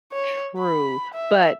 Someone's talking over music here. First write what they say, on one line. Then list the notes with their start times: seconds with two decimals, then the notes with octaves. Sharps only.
true, but,
0.12 C#5
0.58 B5
1.14 E5